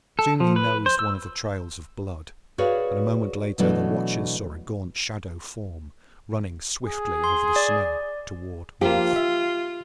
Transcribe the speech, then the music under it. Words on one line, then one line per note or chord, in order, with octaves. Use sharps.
Soon he nosed one of the trails of blood, and a moment later the watchers saw a gaunt shadow form running swiftly over the snow toward Wolf.
A4
F3
B4
C5
E6
F#4 G#4 B4 C#5 D5 F5
B2 E3 F#3 A3 D4
G#4
C6
D5
F3 A#3 F4 G4
E5